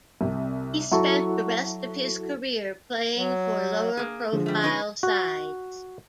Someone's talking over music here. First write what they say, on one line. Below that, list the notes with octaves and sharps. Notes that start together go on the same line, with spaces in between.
He spent the rest of his career playing for lower profile sides.
C2 C3
F#3 E4 F#4 A4 F#5 C#6
F#3
A#3 G#4
D3 F3 G#3
G3 A3
C#4 D#4 B4
F#4